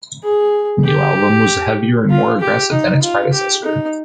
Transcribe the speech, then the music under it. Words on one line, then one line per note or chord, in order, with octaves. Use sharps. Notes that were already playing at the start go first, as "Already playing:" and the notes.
The new album was heavier and more aggressive than its predecessor.
G#4
G4
F4
G4
D#4
F4
G4
D#4